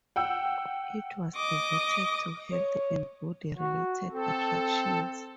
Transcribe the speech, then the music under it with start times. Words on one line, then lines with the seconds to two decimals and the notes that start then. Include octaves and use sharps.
It was devoted to health and body related attractions.
0.16 F#5 G5 E6
1.36 D#5 D6
2.52 C#5
3.58 F#4
4.12 C4 A4